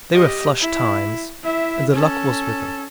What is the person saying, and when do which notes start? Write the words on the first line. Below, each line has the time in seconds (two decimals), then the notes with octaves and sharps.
They were "flush times," and the luck was with them.
0.13 G4 D#5
0.59 E4
1.43 E4 E5
1.91 C#4 A4